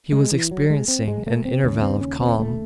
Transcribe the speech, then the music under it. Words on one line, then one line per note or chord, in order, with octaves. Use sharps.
He was experiencing an interval of calm.
G#3
E3
F#3
G#3
C4
G#3
A3
C4
D#2 C#3 C#4
C4
C#4
C4
A3